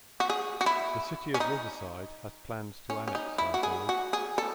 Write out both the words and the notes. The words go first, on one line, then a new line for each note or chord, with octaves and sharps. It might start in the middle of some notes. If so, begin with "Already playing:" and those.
The City of Riverside has plans to annex Highgrove.
F#4
G#4
F#4
E4
C#4
D#4
C#4
C#4
D#4
E4
F#4
G#4
F#4
G#4
A4